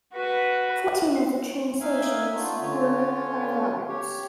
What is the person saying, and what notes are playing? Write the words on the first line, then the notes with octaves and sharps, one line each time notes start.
Fourteen of the translations were by Roberts.
F#4 B4
C#4 D#4 E5 F5 G#5
A3 B3 D4 D#4 F4
D3 C#4 F4 C#5
G4 C#5